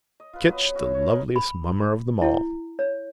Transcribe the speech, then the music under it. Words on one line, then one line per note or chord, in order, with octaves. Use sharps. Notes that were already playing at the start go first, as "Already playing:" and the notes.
Kinch, the loveliest mummer of them all!
D#5
F4 B4
F#3 B3 B4 D#5
C#4 F#4 B4 E5
C#5
D#4 A#4
B5
E4
C#5